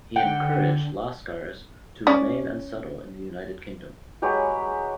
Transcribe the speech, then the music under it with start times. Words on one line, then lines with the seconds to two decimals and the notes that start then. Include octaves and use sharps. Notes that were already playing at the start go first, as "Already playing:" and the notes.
He encouraged lascars to remain and settle in the United Kingdom.
0.16 D3 F#5 G5
2.07 C#4 D5
4.22 F#3 G#3 G4 B4